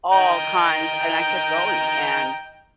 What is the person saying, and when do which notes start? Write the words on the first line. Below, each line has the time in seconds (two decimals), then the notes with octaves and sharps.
all kinds and I kept going and
0.13 D#5 G5 A#5